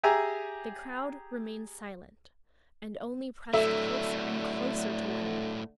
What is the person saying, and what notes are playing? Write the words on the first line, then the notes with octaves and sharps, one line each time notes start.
The crowd remained silent and only pressed closer and closer to one another.
G4 G#4 E5 G#5 A#5
A2 D3 F#3 A3 A4 E5